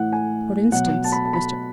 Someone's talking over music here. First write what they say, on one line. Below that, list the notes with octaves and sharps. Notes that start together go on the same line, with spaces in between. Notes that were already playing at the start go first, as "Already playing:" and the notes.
For instance--Mr.
Already playing: A2 E3 F#5
G#5
B2 F#3 F#5
A5
B5
A5
B5